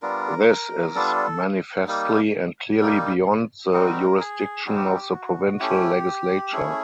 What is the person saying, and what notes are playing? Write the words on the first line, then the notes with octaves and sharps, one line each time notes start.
This is manifestly and clearly beyond the jurisdiction of the provincial legislature.
G3 B3 D4 F4 A#4
G3 B3 D4 F4 A4
G3 A#3 D#4
G3 A#3 D#4
G3 C4 D#4 F#4 A#4
G#4
G3 C4 D#4 F#4 G#4
G4
F#4
G4
F#4
A3 C#4 E4 G4
A3 C#4 E4 G#4